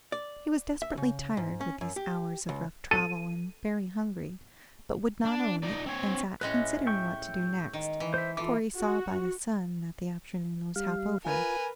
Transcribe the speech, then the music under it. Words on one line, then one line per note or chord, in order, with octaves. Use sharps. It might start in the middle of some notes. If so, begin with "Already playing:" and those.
He was desperately tired with these hours of rough travel, and very hungry; but would not own it, and sat considering what to do next, for he saw by the sun that the afternoon was half over.
D5
E5
C#3
G#2
C#4
F#2
G4
C#2
A4 D#7
D4
D#4 D5
C4 C#5
A2 G#3 C#4 B4 D#5
E5 G5 C#6
D#3
E3
C5 E5
E3 F4 A4 D6
F#4
G3 F5
F4 A#4 B4 G#5